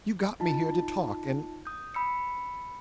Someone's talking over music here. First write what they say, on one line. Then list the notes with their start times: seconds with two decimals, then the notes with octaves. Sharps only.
You got me here to talk, and . . .
0.40 D#4 F4 A5
1.65 D#6 G6
1.94 B5 E6 C#7